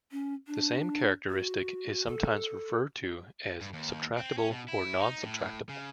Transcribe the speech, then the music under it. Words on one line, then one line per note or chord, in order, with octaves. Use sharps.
The same characteristic is sometimes referred to as subtractable or non-subtractable.
C#4
D4
F#4
A4
G2
D#2
C4
C#4
B2
E4
D#4
A2
C#3